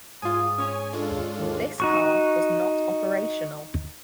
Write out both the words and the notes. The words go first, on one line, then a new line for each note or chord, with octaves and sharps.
This car was not operational.
G#2 F4 G#5 D#6
C#4 C#5 G#5
G#3 D4 F4 A4
D#2 E6
D#4 F#4 C#6